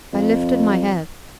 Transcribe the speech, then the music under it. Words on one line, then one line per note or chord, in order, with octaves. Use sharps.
I lifted my head.
F2